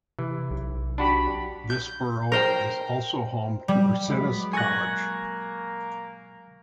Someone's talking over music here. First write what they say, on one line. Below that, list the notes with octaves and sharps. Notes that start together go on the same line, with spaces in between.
This borough is also home to Ursinus College.
C3 E3
B1
D4 F#4 G4 B5
G6
A#4 C5 G5
G3
F#3 G#3 B3 B5 D6
A#3 A#4 G#5 C#6 F#6 G#6 A#6